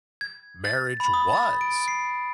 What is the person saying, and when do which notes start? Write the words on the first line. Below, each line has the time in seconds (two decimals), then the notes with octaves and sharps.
marriage was,
0.21 G#6
0.65 A6
1.00 B5
1.14 D#6
1.33 A6
1.61 D7
1.88 C7